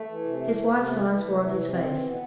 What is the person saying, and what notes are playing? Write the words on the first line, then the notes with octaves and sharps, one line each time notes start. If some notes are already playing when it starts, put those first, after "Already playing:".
His wife's eyes were on his face.
Already playing: A3
E3
C3
E3
C3
C3
E3
E3
C3
E3
C3
E3 C4
E3
B2 B3